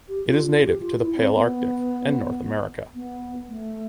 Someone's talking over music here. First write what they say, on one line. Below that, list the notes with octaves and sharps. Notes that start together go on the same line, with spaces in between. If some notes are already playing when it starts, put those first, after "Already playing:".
It is native to the Palearctic and Northern America.
G4
F4
F4
G4
F4
E4
C4
B3
B3
A3